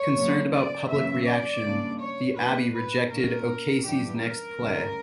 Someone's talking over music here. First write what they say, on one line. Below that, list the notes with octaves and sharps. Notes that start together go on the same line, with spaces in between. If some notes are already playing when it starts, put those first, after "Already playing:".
Concerned about public reaction, the Abbey rejected O'Casey's next play.
Already playing: C#5
F#2 C#3 F#3 A#3 C#4
D5
F#2 C#3 E3 A#3 C#4 E5
D5
C#3 G3 A#3 D4
C#5
B2 A#3 D4 B4
B4
A#2 A#3 C#4 A#4
F#2 E3 G3 B3 D4 G4
A#4
D2 C#3 G3